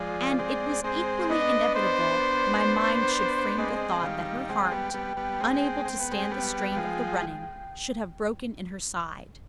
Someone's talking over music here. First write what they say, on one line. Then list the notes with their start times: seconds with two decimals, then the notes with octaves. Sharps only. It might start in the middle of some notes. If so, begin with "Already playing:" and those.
And it was equally inevitable my mind should frame the thought that her heart, unable to stand the strain of the running, should have broken in her side.
Already playing: F3 G#3 D5
0.38 G#3 C4
0.84 G#3 C4 C5
1.29 B3 D4 D#5
1.75 C5
3.58 G#3 C4 D#5
4.03 D#3 G3 F5
4.49 G#3 C4 G5
4.72 G3 B3
4.94 G3 B3
5.17 G3 B3
5.41 G#3 C4
5.85 C4
5.99 B3
6.11 G#3 C4
6.31 G3 B3
6.72 G3
6.76 F3 G#3